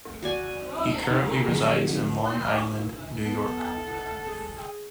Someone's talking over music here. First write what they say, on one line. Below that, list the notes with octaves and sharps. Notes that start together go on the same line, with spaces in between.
He currently resides in Long Island, New York.
F#4 D5 G#5
F2 D3 F#3 G#3
B3 A4
F#5
G#4